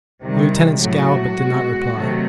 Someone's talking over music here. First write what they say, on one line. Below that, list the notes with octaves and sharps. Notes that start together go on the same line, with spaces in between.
The Lieutenant scowled, but did not reply.
C3 D#3 G3
A2 F#3 A3 F#4
B2 G#3
C3 D#3 F#3 A3